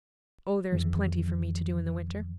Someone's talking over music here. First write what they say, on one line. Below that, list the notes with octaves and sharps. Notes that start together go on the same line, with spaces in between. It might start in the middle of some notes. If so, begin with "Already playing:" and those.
Oh, there is plenty for me to do in the winter.
F2 D#3 E3